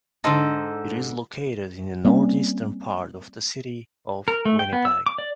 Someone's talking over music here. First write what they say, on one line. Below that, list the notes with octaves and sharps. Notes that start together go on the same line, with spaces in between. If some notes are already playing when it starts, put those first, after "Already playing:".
It is located in the northeastern part of the city of Winnipeg.
G#2 D3 D#4 A4 C5
G3 A#3 C4 C#4
A#4
A3
G5
B3
E6
D6
D5